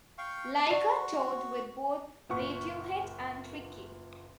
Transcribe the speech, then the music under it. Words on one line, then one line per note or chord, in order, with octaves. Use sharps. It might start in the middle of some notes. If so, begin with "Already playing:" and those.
Laika toured with both Radiohead and Tricky.
F5 G5 C#6
F#4 D5
F#1 A#2 B4 F#5 C#6